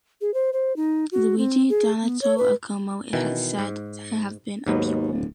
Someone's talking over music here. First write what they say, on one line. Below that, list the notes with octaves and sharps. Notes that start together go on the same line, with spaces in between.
Luigi Donato of Como is said to have been a pupil.
G#4
C5
C5
D#4
F#4
C4
G#4
B3
C#5
B4
B2 D#3 E3
G#2
D#2 G#2 F#3 B3
D1